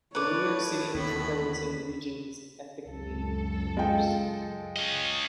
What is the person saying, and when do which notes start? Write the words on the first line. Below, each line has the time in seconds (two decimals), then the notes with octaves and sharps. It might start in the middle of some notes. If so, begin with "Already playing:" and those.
The New York City metropolitan region is ethnically diverse.
0.15 A2 B4 C#5 D5 D6
0.94 D#2 D3 B3 B5
2.87 C#2 F#2 A4
3.77 G#3 F4 G5
4.76 C#4 D#5